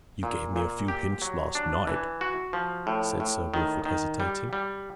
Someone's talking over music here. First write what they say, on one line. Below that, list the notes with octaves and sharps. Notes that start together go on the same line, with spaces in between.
"You gave me a few hints last night," said Sir Wilfrid, hesitating.
A#2
A#2
G4
F#3
D4
E3
F#4
F3
A2
A2
D#3
D#3
G3
G3